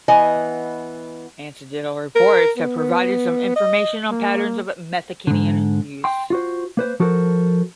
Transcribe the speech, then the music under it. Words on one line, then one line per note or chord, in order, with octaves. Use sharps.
Anecdotal reports have provided some information on patterns of methcathinone use.
E3 B3 D#5 G#5
A#4
B3
D#5
A#3
G#2 D3
G5 C6
F4 F#4 C5
A#3 B4 C5
F3 F#4 A4 A#4 C5